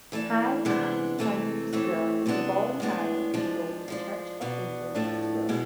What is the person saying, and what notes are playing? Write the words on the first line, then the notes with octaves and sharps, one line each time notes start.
High Ham Primary School is a voluntarily controlled Church of England school.
E3 A3 D4
C3 E3 G#3 B3 D4
C3 E3 A3 C4
A2 E3 A3 C4
C3 G#3 B3 D4
A2 G#3 B3 D4
F3 G#3 D4
F3 G#3 D4
B2 B3 D4
A2 F3 A3 D4
B2 G#3 B3 E4